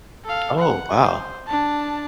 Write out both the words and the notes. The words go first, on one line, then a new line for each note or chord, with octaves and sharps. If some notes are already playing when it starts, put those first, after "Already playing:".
Oh, wow.
A4 F5
F#5
C5
D4 A5